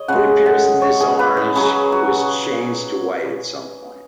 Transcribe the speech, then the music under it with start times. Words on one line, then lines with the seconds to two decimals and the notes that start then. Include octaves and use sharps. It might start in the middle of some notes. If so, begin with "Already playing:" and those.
It appears that this orange was changed to white at some point.
Already playing: C#5 D#5
0.08 C#3 G#3 F#5
0.46 F#5
0.82 C#5
1.01 G#4
1.19 B4
1.37 B4
1.55 C#3 F#3 G#4
1.92 F#4